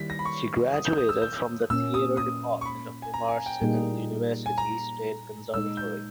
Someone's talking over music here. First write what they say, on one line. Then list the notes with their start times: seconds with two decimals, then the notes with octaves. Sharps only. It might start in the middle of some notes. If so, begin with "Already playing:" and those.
She graduated from the Theater Department of Mimar Sinan University State Conservatory.
Already playing: D#3 G3 A#3 E4 B6
0.10 A#6
0.19 B5
0.25 C#6
0.73 D#6
0.85 G6
0.98 D#6
1.09 E6
1.22 G6
1.70 A#2 A#3 C#4 E6
1.94 D#6
2.17 D#6
2.61 C#6
2.65 B5
3.02 G#5
3.14 A#5
3.29 G#5
3.46 G5
3.62 A#2 G3 A#3 D#4 G#4
4.46 G#5
4.58 A#5
5.54 A#2 G#3 D#4 E6
5.77 G6